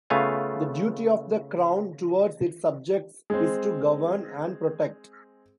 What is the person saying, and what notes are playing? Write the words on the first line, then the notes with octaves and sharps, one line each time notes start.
The duty of the Crown towards its subjects is to govern and protect.
C#3 A3 B3 F4 F5 G#5
G#3 C4